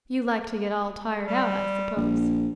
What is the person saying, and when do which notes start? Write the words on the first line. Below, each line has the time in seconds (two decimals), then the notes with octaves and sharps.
"You like to get all tired out, I suppose."
1.26 G3
1.96 A#1